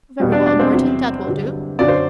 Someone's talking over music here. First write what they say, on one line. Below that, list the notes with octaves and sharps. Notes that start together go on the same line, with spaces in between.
"Very well, Morton, that will do."
E2 B2 G3
D4 D5
D4 D5
C4 C5
E2 C3 F#3
G2 D3 F#3
F#2 D3 F#3 D5
C5